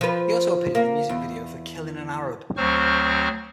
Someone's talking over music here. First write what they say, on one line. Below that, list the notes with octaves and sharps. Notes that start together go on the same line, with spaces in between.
He also appeared in the music video for "Killing an Arab".
F3 B4
A#3
E2
D2 F#3 C4 C5 C#6 F6